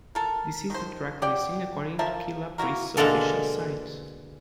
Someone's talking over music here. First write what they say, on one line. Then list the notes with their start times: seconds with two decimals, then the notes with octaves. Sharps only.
This is the track listing according to Killah Priest's official site.
0.15 A4 A#4
0.70 D#3 C5
1.22 G4 D5 F#5 G5
1.99 F3 A4 A#4 E5
2.58 A#3 E4 F#4 A#4
2.97 B2 D3 G#3 A#3 A4 A#4